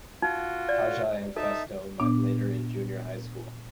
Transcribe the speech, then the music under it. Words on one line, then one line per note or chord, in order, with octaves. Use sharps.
Tajai and Phesto met later in junior high school.
D#4 F4 F#4
D5
D#4 A4 E5 A5
A#2 B3 D4